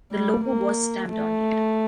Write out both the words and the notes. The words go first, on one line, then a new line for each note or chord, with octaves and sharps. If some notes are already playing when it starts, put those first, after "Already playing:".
The logo was stamped on it.
G3
A#3
A3